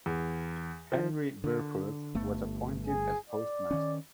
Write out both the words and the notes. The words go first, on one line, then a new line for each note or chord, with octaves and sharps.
Henry Verfurth was appointed as postmaster.
E2
F3
D3
G1 A3 B3
G#4
D5
D#3 C#4